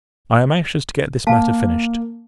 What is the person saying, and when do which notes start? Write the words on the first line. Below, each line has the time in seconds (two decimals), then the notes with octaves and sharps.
I am anxious to get this matter finished.
1.27 A#3 F5 A5